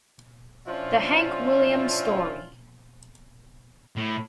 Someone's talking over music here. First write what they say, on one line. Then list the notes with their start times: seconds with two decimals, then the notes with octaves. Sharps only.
The Hank Williams Story.
0.67 F3 C#4 D4 E4 F4
3.96 A2